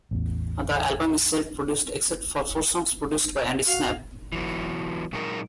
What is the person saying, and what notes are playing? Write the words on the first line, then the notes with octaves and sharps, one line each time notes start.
The album is self-produced except for four songs produced by Andy Sneap.
A1 E2
F#4 F5
E3 F#3 B3
A#2 F#3 G#3 A#3 D#4 A#4